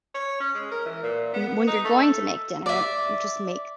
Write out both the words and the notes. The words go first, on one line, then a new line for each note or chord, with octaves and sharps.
m when you're going to make dinner, just make,
C#5
C#4
G#3
A#4
E3
A#2
B3
D#4
A3
A4
D5 E5